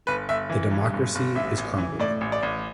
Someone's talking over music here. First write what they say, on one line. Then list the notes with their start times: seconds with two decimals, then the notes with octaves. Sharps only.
The democracy is crumbling.
0.07 G1 B4
0.29 G1 E5
0.50 E3
0.71 G2
0.93 G1
1.15 G1
1.35 A1 E5
1.57 A1
1.78 E3
2.00 A2 D5
2.21 A1
2.32 D5
2.43 A1